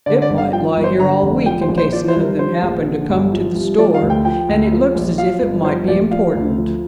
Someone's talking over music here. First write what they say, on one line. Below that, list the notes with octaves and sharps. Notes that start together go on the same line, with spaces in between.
"It might lie here all week in case none of them happened to come to the store, and it looks as if it might be important."
D3 D5
D5
G1
F5
F3 G5
G1
C5
D3 A#5
F1
F3 G5
C5
A#1
C5
F3 D5
C5
C2
A#4
F3 C5
A#1
D3
G1
F3
C2
F3 D5
F5
D2
G5
F3 G5
D2
F3
A#1
F3 F5
G1
F3 C5
A#1 D5
F3 F5
D2
F3